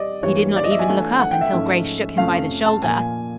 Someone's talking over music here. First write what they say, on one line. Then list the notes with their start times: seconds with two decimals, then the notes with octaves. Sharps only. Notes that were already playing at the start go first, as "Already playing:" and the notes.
He did not even look up until Grace shook him by the shoulder.
Already playing: G3 D5 D#5
0.23 G2 E3 G3 A#3 C#5
0.56 D5
0.64 D#5
0.71 E5
0.79 G#5
0.87 E3 A3 D4 F4
1.20 F#5
1.31 G5
1.41 E5
1.53 G#2 F3 A3 C#4
2.17 F2 C3 F3 A3 C#4 F5
2.65 A5
2.82 A#2 F3 A#3 G#5